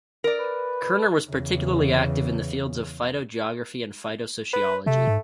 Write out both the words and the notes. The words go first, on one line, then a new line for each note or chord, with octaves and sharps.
Kerner was particularly active in the fields of phytogeography and phytosociology.
A#4 D5
B4
E2 C#3
B4
C3 A3
G#2